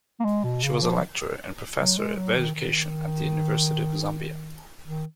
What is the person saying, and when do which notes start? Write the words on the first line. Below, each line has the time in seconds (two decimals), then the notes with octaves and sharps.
She was a lecturer and professor of education at the University of Zambia.
0.20 A#3
0.25 G#3
0.44 B2
0.63 C#3
0.82 F3
1.78 F#3
1.98 G#3
2.16 F#3
2.37 D#3
2.55 D#3
4.87 D#3